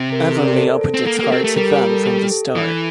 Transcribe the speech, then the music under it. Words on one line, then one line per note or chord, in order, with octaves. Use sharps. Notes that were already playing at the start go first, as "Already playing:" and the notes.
Avonlea opened its heart to them from the start.
Already playing: C3
A#4
A4
G4 A#4
A#4 D5
A4 C5
A4
C4
A#3 A4
A#3 G4 A#4
C4
A3 A4
G3 G4 A#4
A#4
A4
G4
A4
E3